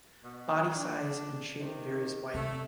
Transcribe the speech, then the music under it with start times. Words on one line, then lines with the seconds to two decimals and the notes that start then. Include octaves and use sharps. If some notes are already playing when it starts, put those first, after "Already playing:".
Body size and shape varies widely.
0.23 B2
0.75 D4
1.59 C3 D#3
2.34 C3 A3